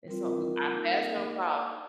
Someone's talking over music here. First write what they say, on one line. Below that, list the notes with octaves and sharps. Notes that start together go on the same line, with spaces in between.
it's what we our paths are gonna cross.
G3 C4 F4 A#4
A#3 D#4